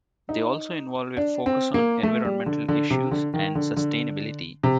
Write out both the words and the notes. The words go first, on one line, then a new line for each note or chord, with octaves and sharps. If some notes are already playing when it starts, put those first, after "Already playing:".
They also involve a focus on environmental issues and sustainability.
D#4
D4
C4
A#3
A3
G3
D3
D3
C3
D3
D#3
D3
D3
C3